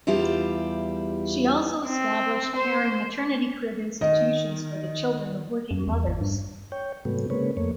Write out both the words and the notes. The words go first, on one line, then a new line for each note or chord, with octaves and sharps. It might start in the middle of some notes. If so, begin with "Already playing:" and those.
She also established caring maternity crib institutions for the children of working mothers.
E2 G3 E4 F4 G4
C4
C5
D#3 D#5
F#2
E2
G#1
G2
C#5 G5
G#2 C3 F#3 A3 B3
C#3 G#3 A#3 C4 B4 C#5
F2 A3 A#3 C#5